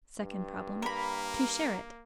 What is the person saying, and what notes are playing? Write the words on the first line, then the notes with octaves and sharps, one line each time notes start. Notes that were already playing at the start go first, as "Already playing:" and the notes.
Second problem: To share it.
G2
A#3 A#4 B5